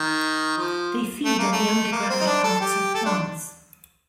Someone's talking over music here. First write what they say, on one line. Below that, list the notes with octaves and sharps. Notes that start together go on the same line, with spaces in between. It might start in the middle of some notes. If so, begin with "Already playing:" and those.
They feed on the underground parts of plants.
Already playing: D#3
F3
A3
A#3
A3
A#3
C4
D#4
D4
A4
G4
A4
D4